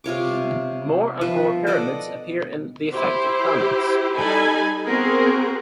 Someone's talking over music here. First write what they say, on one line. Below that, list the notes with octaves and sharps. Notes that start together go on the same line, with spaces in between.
More and more Pyramids appear in the affected planets.
C3 F4 C#5 D6
F3 B4 E5
A4 D5 D#5 F#5
E4 G4 C5
G3 D#4 A4 G#5 B5
B3 C4 F#4 G#4 A#4